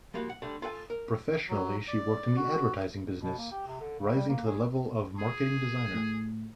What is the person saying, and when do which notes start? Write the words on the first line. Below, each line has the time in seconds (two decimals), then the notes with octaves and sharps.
Professionally she worked in the advertising business, rising to the level of marketing designer.
0.14 F3 G3 A#3 F4 F#4
0.29 F#5
0.42 D3 G3 A3
0.62 F4 A4 F#5 G#5
0.90 A#4
1.49 F#3
1.88 D5
2.36 F#4
3.22 B2
3.38 A#3
3.51 G4
3.67 C3
3.81 D3
4.00 C#3
4.15 G3
4.28 A#3
4.46 G#4
5.19 G#4
5.94 A2